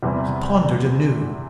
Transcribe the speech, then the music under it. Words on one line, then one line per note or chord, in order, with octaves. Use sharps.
He pondered anew.
E2 C3 E3 G3